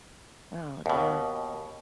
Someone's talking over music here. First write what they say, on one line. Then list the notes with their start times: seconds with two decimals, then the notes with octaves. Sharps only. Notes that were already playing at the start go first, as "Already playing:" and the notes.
Oh, darn.
0.86 D#2 B2